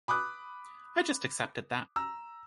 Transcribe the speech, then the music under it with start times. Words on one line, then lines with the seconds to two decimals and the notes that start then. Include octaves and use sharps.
I just accepted that.
0.08 B5 D6 D#6 F#6
1.96 A#5 E6